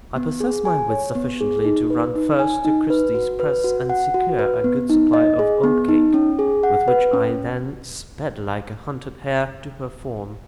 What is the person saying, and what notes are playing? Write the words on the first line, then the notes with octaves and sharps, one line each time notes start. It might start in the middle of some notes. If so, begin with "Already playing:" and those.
I possessed my wits sufficiently to run first to Kirsty's press and secure a good supply of oatcake, with which I then sped like a hunted hare to her form.
B3
G#4
G#5
C#5
B3
G#4
D#4
B4
D#4
G#5
D#4
B4
F#4
B4
F#4
F#5
F#4
B4
B3
D#4
D#5
G#4
B3
D#4
C#4
G#4
F#5
B4
C#4